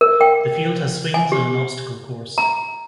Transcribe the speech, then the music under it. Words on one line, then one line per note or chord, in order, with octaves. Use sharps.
The field has swings and an obstacle course.
A#4
G5
G#5
G4
A#5